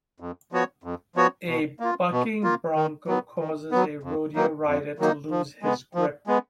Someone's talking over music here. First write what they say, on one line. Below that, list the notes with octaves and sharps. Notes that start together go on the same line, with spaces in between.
A bucking bronco causes a rodeo rider to lose his grip.
F2
F3 B3 F#4 C#5
F2
F3 B3 F#4 C#5
B2
A#3 F4
B2
A#3 F4
D#3
F#3 B3
D#3
F#3 B3
F2
D#3 F#3 A#3 D#4
F2
D#3 F#3 A#3 D#4
F3
G#3 B3
F3
G#3 B3